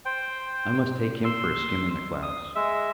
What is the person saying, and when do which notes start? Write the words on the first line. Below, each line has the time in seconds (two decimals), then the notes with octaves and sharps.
I must take him for a skim in the clouds.
0.05 C5 G5
1.24 C6 E6
2.23 D#6
2.55 G#3 E5